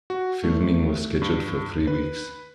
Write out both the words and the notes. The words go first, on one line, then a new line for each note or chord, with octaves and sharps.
Filming was scheduled for three weeks.
F#4
A3
G2
B4